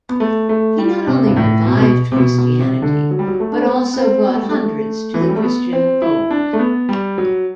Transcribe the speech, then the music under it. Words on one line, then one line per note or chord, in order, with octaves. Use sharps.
He not only revived Christianity but also brought hundreds to the Christian fold.
B3
A3
A3
G3
C3
G2
A2
B2
C3
B2
C3
B2
B2
C3
D3
F#3
G3
F#3
A3
D4
C4
B3
B3
C4
B3
A3
G3
A3
E3
F#3
G3
A3
B3
C4
E4
D4
A3
B3
G3
F#3